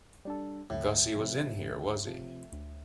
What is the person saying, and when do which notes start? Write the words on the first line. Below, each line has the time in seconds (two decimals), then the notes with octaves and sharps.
Gussie was in here, was he?
0.25 G3 D4 A4
0.70 D2 A2
1.16 C3 F3
1.62 D2
2.06 C3 F3
2.52 D2